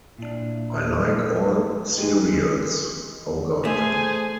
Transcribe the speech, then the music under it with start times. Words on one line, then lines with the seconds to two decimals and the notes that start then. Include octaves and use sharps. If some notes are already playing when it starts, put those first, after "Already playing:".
I like all cereals... Oh, God.
0.18 A#2 D4 E4
1.97 E3 G#3 G4
3.65 A3 G#4 C5 G#5